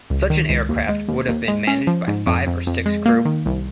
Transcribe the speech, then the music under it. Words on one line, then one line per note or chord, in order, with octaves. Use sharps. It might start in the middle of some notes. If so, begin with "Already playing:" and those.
Such an aircraft would have been managed by five or six crew.
C#2
D#3
C#2
D#2
G#3
D#2
D#2
G#3
C#4
F3
G#2
F2
F2
F2
G#3
A#3
D#3
C2